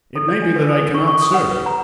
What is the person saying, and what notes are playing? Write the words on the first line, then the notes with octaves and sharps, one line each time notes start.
It may be that I can not serve you.
A4
D5
D4
B4
A4
A#4
C#6
C#6
D#6
F#5
B4
A#5